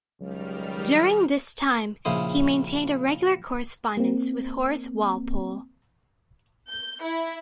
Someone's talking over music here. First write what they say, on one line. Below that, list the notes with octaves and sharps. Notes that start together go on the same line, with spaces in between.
During this time, he maintained a regular correspondence with Horace Walpole.
C#2 D#3 F#3 G3 F6
A#1 C#3 E4 C5 D#6
A#3 C4
G6
E4